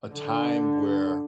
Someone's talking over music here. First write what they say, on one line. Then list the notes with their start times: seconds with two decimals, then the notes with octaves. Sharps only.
a time where
0.10 D3